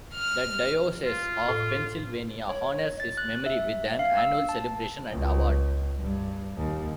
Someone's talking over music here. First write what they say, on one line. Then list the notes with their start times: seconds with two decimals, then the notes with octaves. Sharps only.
The Diocese of Pennsylvania honors his memory with an annual celebration and award.
0.15 F6
1.05 F4
1.48 A2
2.49 C#5
3.00 A6
3.17 F#6
3.46 E5
3.99 F5
4.18 E6
4.49 A5
5.11 C#2
5.99 G2
6.57 D#2